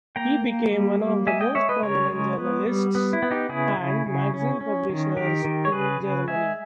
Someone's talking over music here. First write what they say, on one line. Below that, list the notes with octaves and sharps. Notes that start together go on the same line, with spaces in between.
He became one of the most prominent journalists and magazine publishers in Germany.
A#3 G5 A#5
A#3
G3
A#3
G#3 E5 G#5
D#5 G5
G#3 C#5 E5
B4 D#5
C#3 A#4 C#5
G#3
B3
G3
B3
E4
B3
D#4 G4
C#3 E4 G#4
C#3
C#3
C#4
C#4
D#3
D#3 G4 A#4
D#3
C#5
C#3 G#4 B4
C#3
G#3 E5 G#5